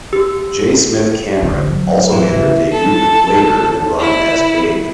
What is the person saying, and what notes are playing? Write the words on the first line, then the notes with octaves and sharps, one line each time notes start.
J. Smith-Cameron also made her debut later in the run as Babe.
G4 E6
D3
F#3
E3
C#3
A4
E4